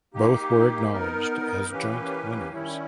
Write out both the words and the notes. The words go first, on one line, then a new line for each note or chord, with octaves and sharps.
Both were acknowledged as joint winners.
A#3 D#4 G4
B3 D#4 A#4
E3 A#3 C#4 G4 B4
D#3 G3 C#4 E4